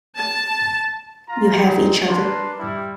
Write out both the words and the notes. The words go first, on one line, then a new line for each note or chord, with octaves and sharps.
You have each other.
A5
F4 A#5
C4 D#4 G#4 D5
D4 A#4 B4 C6
G3 E4